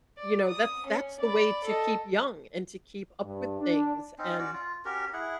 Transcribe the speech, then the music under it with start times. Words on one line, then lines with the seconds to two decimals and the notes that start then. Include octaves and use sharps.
you know, that's that's the way to keep young and to keep up with things, and,
0.17 D5
0.48 D#6
0.86 C#4
1.20 D5 B5
1.64 A4 D#5
3.24 G2
3.59 D4
4.18 C4 C#4 D#4
4.38 C#4 F#4 D5
4.53 F4
4.85 C#4 F#4 G4 A#4
5.13 E4 G#4 F#5